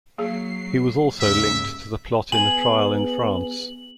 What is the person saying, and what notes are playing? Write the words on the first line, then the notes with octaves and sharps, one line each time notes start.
He was also linked to the plot in a trial in France.
F#3 A#3 G#4 C7
D#2 G#2 C#3 E5
B3 G#4 F#7